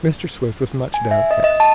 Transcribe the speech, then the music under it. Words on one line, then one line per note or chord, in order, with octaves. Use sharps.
Mr. Swift was much downcast.
G#5
E5
D#5
D#5
A5